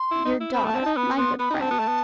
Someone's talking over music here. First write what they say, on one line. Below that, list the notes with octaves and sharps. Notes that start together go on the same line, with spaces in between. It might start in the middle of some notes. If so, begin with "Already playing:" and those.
"Your daughter, my good friend?"
Already playing: C6
E4
D#4
E4
C4 B5
A3
A5
C4
D#4 A5
B3 B5
B3 C6
B3 B5
D#4
G5
C4 A5
B3
A3
B3